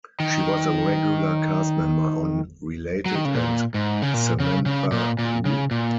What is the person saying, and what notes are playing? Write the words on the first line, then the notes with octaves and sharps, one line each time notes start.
She was a regular cast member on "Related" and "Samantha Who?".
D#3
F#3
D#3
C#3
A#2
G#2
C#3
A#2
C#3
C#3
A#2
A#2
C#3
A#2